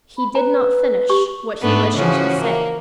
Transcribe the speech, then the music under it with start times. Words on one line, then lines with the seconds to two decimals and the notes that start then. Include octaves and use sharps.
He did not finish what he wished to say.
0.18 B5
0.35 B4 A#5
1.09 G4 C#6
1.62 G#2 A3 B3 D4
1.95 C#3 E3 F3 C#4 F#4
2.41 A#3